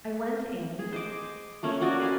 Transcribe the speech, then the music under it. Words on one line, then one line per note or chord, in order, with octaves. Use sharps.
I went in.
G#4
C5 D#5 D6
A3 A#3 C#4
C#4 F#4 D5 D#5
B4 F5 G#5